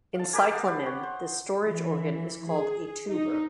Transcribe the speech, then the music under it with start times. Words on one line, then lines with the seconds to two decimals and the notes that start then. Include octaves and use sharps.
In cyclamen this storage organ is called a tuber.
0.15 F5 A5
0.33 G4 A#4 D5 G#5
0.51 F5 F#5 A5 D#6
0.68 G4 B4
0.86 C#5 F#5 G5
1.03 C5
1.66 E3
2.52 G#4
3.08 D#4